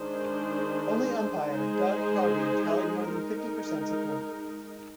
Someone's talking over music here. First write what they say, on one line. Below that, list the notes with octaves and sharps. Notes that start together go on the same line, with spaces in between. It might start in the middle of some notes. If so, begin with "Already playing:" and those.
Only umpire Doug Harvey tallied more than fifty percent support.
Already playing: D#3 G#3 D4 G#4 C5
G#3 D#4 G#4 C5
G#3 D#4 A#4